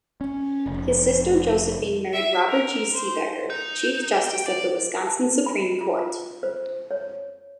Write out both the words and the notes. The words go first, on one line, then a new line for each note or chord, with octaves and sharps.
His sister Josephine married Robert G. Siebecker, Chief Justice of the Wisconsin Supreme Court.
C#4
F1
E5
A#4
C5
D#4
G5
D5
A5
B5
F4
C5
C#5